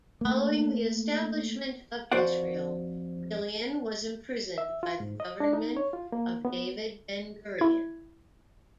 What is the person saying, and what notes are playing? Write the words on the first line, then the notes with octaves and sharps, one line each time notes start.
Following the establishment of Israel, Ghilan was imprisoned by the government of David Ben-Gurion.
A3 A#3
F2 F#4 C5 D5 F#5
E5
F4
G#2
D#5
D4
D#4
C#5
F4
A#3
B3
E4 G#6